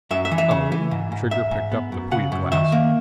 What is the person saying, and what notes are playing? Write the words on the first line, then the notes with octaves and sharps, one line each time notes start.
"Oh?" Trigger picked up the Puya glass.
F#2 E5
E5
E3
E5
C#3
E3
G#2
G#2
G#2 E5
G#2
B3
F#2
C#3 F#5
F#2
D#3 E5
A#3